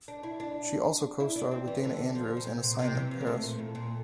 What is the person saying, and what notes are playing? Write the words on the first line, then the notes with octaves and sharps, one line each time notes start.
She also co-starred with Dana Andrews in Assignment - Paris!
D4
E4
D4
E4
D4
C4
E3
D3
F3
A#2
C3
A#2
C3
E3
F3
A#3
A3
A#2
A2
A#2